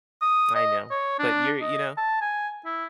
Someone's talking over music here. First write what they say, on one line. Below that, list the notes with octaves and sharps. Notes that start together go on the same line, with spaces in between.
I know. But you're you know?
D#6
D#5
C#5
D4
D#5
A5
G#5
E4